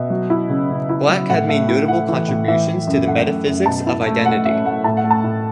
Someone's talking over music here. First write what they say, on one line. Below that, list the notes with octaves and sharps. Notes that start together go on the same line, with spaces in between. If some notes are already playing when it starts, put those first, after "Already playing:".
Black had made notable contributions to the metaphysics of identity.
Already playing: B2 E5
F#3
E4
C#3
C#3
E4
F#3
A2 F#5
A3 E5
E4
E4 F#5
E3
A2
E3 E5
E3
F#2
A3 F#5
F#2
F#2
B2 A5
E4
A3
A3 F#5
C#4 E5
A3 F#5
A2 A5
F#5
A3
A5
A2